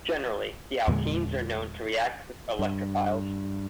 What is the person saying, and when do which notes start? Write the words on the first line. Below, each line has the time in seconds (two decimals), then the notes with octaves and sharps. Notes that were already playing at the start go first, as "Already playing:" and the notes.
Generally, the alkenes are known to react with electrophiles.
0.88 E2 A#2 D3 G#3
2.59 G2